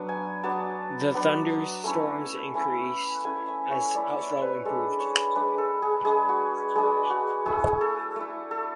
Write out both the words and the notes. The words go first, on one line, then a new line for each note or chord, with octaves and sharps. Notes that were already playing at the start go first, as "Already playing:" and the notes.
The thunderstorms increased as outflow improved.
Already playing: F#3 B3 D4
G#5
F#3 B3 D4 A5
F#3 B3 D4
A3 C#4 E4
A3 C#4 E4
A3 C#4 E4 G#5
E5
C#5
A3 C#4 E4 D5
C#5
B4
G#3 D4 A4
C#5
G#3 D4 B4
A4
G#4
G#3 D4 G#4
F#4
G#3 D4 G#4
F#4
A3 E4 G#4
A4
A3 E4
A4